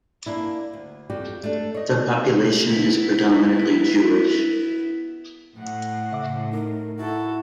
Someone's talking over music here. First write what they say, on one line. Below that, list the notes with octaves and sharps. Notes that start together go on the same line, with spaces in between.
The population is predominantly Jewish.
A#3 D4 E4
D2
F2 G3 F#4 G4
A3 D4
C#5 D#5
B3 E4
A2 F#5
C#3 E5 D6
D#4 A#4
E4 F#4 A4